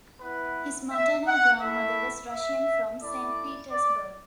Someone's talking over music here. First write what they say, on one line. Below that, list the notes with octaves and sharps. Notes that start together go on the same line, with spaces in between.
His maternal grandmother was Russian from Saint Petersburg.
B3 E4 B4
E5
F#5
A3 E4 E5
E5
A3 E4 D5
D5